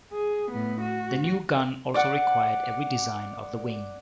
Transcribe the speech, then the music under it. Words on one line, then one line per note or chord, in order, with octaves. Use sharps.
The new gun also required a redesign of the wing.
G#4
A2 B3
F#4
D5 F#5